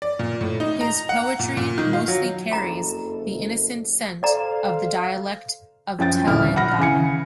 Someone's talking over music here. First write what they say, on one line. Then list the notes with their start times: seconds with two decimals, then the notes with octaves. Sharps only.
His poetry mostly carries the innocent scent of the dialect of Telangana.
0.02 D5
0.19 A#2
0.41 A2
0.60 D#4
0.81 A#5
1.09 F#5
1.39 A#2
1.57 A#2
1.78 D#3
1.93 F4
2.08 F#3
2.52 F#1 F2 A4 A#5 B5
4.23 A4 C5 D5 F5 A#5
5.99 F#2 F3 G5 A6
6.27 D#1 A1 D3 E4 F6
6.56 F#5 B5 F6 A#6
6.78 C#3 E3 G#5 C#7